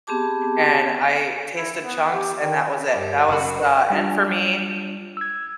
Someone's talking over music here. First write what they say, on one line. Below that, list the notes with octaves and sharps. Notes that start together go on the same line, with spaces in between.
and I tasted chunks, and that was it, that was the end for me.
B3 C4 G4 G#4 A5 D6
E4
B3
G4
D#3
G2 G4 A#4
F#1 A#2 C#3 F#4 G#4 F5 B5
G3 D4 F4
E6 G#6